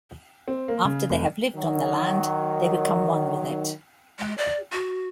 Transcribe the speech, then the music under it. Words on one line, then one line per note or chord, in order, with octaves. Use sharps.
After they have lived on the land, they become one with it.
C4
A#3
C#3
F1
D#3 F#3
G#3
D5
F#4